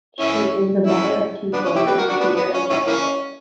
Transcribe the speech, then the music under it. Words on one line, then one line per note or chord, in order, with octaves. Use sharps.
She is the mother of two children, Peter and Jessica.
C#4 E4
C#4 E4
B3 D4
C#4
E4 G4
G4 B4
F#4 A#4
D4 F#4
B3 D4
B3
C#4
C#4 E4
E3 A#3 C#4